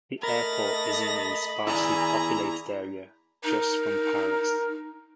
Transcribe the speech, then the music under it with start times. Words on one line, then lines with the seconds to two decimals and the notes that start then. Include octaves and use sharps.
The airport is in a sparsely populated area just from Paris.
0.23 A3 A#4 D#5 B5 A6 A#6
1.67 E4 G#4 D5 G#5 A#5
3.44 D#4 A#4